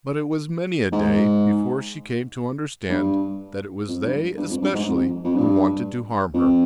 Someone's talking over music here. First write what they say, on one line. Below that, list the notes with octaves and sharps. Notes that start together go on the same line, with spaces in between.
But it was many a day before she came to understand that it was they especially who wanted to harm her.
G#2
G2
F2
G2
G2
F2
G2
G#2
F2
F2
G2
F2